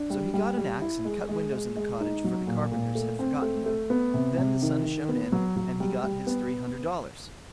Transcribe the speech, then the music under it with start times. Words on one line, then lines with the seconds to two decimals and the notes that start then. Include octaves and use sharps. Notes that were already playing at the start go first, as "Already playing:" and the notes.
So he got an axe and cut windows in the cottage, for the carpenters had forgotten them; then the sun shone in, and he got his three hundred dollars.
Already playing: D4
0.10 G3
0.34 G3
0.57 G3
0.82 E4
1.05 G#3
1.29 G#3
1.53 G#3
1.77 G#3
2.01 D#4
2.24 F#3
2.47 A#2
2.72 A#2
2.95 A3
3.19 C4
3.42 A3
3.66 A3
3.90 B3
4.14 C3
4.38 C3
4.62 D#3
4.84 D#3
5.09 B3
5.32 F#3
5.56 F#3
5.80 G3
6.03 G3
6.27 B3